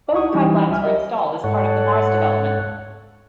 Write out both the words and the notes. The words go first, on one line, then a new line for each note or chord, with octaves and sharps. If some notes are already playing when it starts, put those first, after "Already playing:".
Both pipelines were installed as part of the Mars development.
C#2 D#4 E4 F#5 C#6 D#6
E3 G3 C#4 D#4 E4 G4
C#2 G3 E5 G#5 F6
G4 A#4 D#5 E5
G#2 A4 C#5 F#5